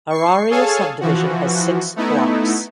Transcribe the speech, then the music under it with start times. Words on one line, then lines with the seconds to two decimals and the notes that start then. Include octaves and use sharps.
Araria subdivision has six blocks.
0.10 C#6 C7
0.50 G#4 A4 C#5 F5 G#5 A5
1.01 E3 F3 F#4
1.96 A3 B3 D#4 E4